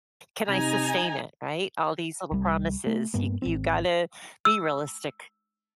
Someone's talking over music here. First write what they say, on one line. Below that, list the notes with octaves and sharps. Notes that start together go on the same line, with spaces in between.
can I sustain it, right? All these little promises, you you gotta be realistic
C3 D#4 G#5 A#5
C2 G3
A3
G2 A#3 B3
G#1 C4
E6